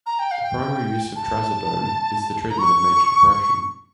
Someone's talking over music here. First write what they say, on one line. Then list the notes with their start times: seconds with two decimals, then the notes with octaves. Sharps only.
The primary use of trazodone is the treatment of major depression.
0.06 A#5
0.19 G5
0.31 F5
0.43 G5
1.15 A5
2.50 A#5
2.59 C#6
3.30 C#6
3.43 C#6